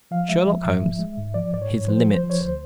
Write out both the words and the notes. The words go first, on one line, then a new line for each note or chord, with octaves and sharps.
SHERLOCK HOLMES--his limits.
F3 F5
G#3 E5
F3
G#2
F3
G#3
G#2
F3 D5
G#2 D5
C#5
G#2
F3 C5
F3
C5
F3
C#5
D2 C5